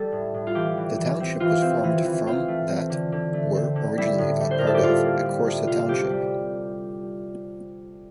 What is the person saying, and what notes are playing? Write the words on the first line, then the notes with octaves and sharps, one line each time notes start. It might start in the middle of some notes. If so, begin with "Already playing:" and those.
The township was formed from that were originally a part of Ecorse Township.
Already playing: G3 A4
A2
A2
F4
E3 G4
E3
E3
C4
E3 F4
C4
E3
E3
C4 F4
A3
C4
D3
D3
A3
C4
D3
G3 E4
A2
G3
C5
A2 A#4
A4
G4
A2 F4
A#3
G3
A2
C3 F4
C3 G4
G3